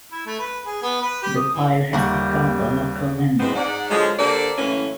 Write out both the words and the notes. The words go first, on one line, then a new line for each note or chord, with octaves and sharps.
The pile has become a local landmark.
E4
A3
B4
G#4
B3
B4
G4
D#6
E3
D#2 G3 A3 A#3 F#4 G4
B2 E3 G#3 B3 C4
G#2 D5 F#5
D3 F3 F#3 G#3
D3 A#3 G4 A4 C5 D5
F#2 A2 E3 A3 A#3 C#4